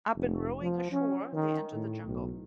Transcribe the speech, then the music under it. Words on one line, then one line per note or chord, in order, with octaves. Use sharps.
Upon rowing ashore, they enter the jungle.
F1
F3
C#4
D#3
A2
B1